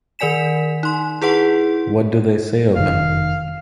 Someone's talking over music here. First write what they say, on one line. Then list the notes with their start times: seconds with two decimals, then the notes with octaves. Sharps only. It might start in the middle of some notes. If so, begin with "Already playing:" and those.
What do they say of him?
0.19 D#3 A#4 D5 G#5 B6 E7
0.83 D#4 C6
1.22 E4 G#4 B4 F#5 C6
2.76 F1 D#3 F5